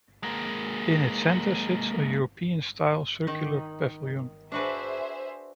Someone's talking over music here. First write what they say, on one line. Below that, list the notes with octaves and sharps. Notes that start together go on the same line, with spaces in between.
In its center sits a European-style circular pavilion.
G#3 A#3
D#3 D#4
D4 F#4 G#4 B4 C5 E5